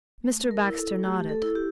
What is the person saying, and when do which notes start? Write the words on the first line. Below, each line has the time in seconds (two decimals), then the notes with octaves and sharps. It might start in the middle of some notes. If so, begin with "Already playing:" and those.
Mr. Baxter nodded.
0.24 A3
0.51 A#4
0.64 E4
0.77 A4
1.03 A3 G4
1.29 A4
1.43 E4
1.55 G4